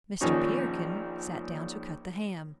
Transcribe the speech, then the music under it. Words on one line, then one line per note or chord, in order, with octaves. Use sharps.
Mr. Peterkin sat down to cut the ham.
A#1 D#3 F3 C#4 D#4 C#6